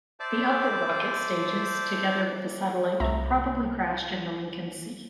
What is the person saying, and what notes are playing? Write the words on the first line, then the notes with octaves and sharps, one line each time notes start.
The upper rocket stages, together with the satellite, probably crashed in the Lincoln Sea.
C5 D5 E5 A5 D6
C2 A3 E5 A#5